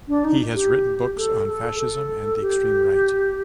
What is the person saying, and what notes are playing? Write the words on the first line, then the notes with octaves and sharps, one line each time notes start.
He has written books on fascism and the extreme right.
D4
D#4
G4
A4
A4
A4
G4